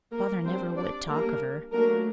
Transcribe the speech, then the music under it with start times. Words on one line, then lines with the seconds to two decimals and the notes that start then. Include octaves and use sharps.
Father never would talk of her.
0.12 A#3 A#4
0.44 G3 C4 D4 C5
0.76 D4 D5
1.08 G3 A#3 D4 A#4
1.72 F#3 A3 A#3 D4 A#4